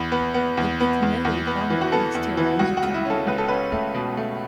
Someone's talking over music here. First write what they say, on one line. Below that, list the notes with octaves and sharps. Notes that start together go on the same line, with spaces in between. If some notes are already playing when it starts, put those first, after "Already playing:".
The Picknelly family still owns the company.
Already playing: E2 B5
B3
B3
E2
B3
E2
E2
B3
E3
F#4
B3 A4
E2
E3
C#2 F#4
F#4
C#2
E4
C#4 A4
C#2 B4
A4
C#4 B4
A3
B2
A3